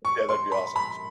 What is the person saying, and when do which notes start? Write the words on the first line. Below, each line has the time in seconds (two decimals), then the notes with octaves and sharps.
yeah that'd be awesome.
0.05 C#6
0.29 C6
0.52 B5
0.76 B5